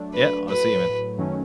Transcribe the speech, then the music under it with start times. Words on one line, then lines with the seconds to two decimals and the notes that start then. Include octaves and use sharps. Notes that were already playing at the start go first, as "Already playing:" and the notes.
Yeah, I'll see you, man.
Already playing: F#3 A3 D4
0.13 B4
0.48 A2 F#3 A3 B4
1.18 F#2 D#3 F#3 A3 C#4